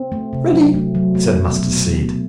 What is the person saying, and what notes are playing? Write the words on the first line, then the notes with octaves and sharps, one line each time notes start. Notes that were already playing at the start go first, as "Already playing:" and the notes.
"Ready," said Mustardseed.
Already playing: C4
A3
C3
F#3
A3
F#3
A3
B2
B2
B2
A3